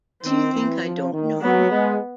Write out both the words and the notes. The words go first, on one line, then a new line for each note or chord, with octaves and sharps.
Do you think I don't know?
D#3 C4
E3
F3
D#3
F#3 B3
G#3